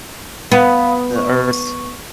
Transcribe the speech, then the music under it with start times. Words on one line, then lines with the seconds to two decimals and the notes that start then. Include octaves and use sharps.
the Earth's
0.52 B3 F5 B5 D#6
1.16 C#6